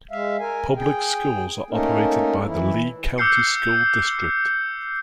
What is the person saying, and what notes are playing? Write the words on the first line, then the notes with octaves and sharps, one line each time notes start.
Public schools are operated by the Lee County School District.
G#3 E5 F5
A#4 G#5
G#4 G5
A3 A#3 C#4 D#4 A4 A#4
E3 E4
D6 E6 F6 G6 C7 C#7